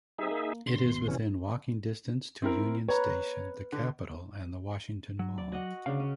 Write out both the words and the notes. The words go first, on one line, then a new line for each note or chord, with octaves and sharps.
It is within walking distance to Union Station, the Capitol and the Washington Mall.
G3 C4 D#4 G#4 E5
A#3
D3 C6
G#1 D#2 B2
C3 E3 C#4
C4 E4 A#4
B4 C#5 A#5
D3
F#3
D5
F#4 D#5 F#5
D2 C#3 D4 F5
C#4